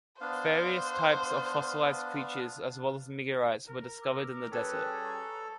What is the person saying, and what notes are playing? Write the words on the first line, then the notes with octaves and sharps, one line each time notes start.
Various types of fossilized creatures as well as meteorites were discovered in the desert.
B3 D4 C5 F5
A#4
D6 E6
G3 C#4 G#4 A4 B4 G5 F#6
A#5 C#6